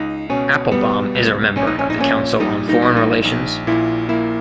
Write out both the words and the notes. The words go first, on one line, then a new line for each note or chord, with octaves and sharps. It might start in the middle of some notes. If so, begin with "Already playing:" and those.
Applebaum is a member of the Council on Foreign Relations.
Already playing: C#2 D#4
B2 C#4
G3 B3
C#2
A#1 C#4
D#4
C#4
D#4
A#2 C#4
G3 D#4
D#4
A#1
D#4
A#1 D#4
A#2 E4
A#3 E4